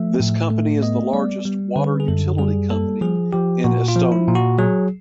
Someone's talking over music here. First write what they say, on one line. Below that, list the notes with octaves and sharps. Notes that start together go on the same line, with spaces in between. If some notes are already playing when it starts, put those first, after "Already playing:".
This company is the largest water utility company in Estonia.
Already playing: F3 A3 E5
A2
A3
B3 D#5
G3 D5
G3
D3 B4
G#4
F#2 A4
G3 G#4
A#3 A4
F3 G#4
F3 G4
A#2 F#4
F4
F3
E4
A#2
F#4
F#3 G#4